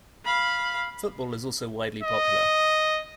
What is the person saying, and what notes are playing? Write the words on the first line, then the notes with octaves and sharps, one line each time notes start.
Football is also widely popular.
F5 B5
D#5